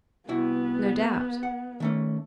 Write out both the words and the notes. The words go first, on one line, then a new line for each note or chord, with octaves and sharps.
No doubt.
C2 B3 E4 F#4
F#5
D#3 A3 C#4